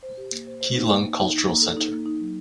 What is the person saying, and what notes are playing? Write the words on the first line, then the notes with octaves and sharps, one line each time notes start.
Keelung Cultural Center.
C5
G4
A#3
C5
C5
D#4
A#3
A#3
D#4
D#4
A#3
A4
D#4
A#3
D#4
F#3